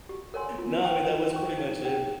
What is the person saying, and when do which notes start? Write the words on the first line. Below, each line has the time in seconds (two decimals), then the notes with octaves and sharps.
no, I mean, that was pretty much it.
0.09 G4
0.34 A#4 C#5 G#5 C6
0.58 F4
0.84 C5 G5 C#6
1.08 F4
1.33 C5 G5 C#6
1.58 D#4
1.82 A#4 C#5 G5